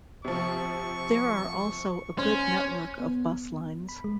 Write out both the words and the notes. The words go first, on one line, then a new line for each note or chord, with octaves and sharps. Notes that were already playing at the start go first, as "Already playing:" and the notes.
There are also a good network of bus lines.
C3 F3 C#6
C#4 C5
B3
B5
G#3